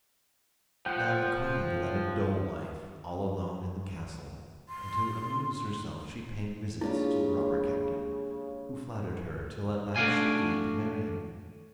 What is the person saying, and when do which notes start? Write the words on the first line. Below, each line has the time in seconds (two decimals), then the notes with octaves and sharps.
Now the queen led a dull life all alone in the castle, and to amuse herself she paid visits to the robber captain, who flattered her till at last she agreed to marry him.
0.86 F3 C5 F#5 G5
4.69 C6
6.81 C#3 G#3 A#3 D4 E4 F4 G4
9.96 A3 D4 F#4 D5 F5 G#5